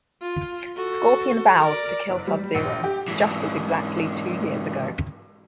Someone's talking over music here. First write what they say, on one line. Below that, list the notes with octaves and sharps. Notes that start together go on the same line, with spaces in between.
Scorpion vows to kill Sub-Zero just as exactly two years ago.
F4
F#4 A4
A#4 D5
F#1
G3
A#1
G4
G#2 E3